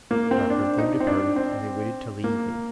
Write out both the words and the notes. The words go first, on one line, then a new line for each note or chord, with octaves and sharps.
The doctor then departed, and they waited till the evening.
A#3
C4
D4
D#4
C4
D4
C4
A#3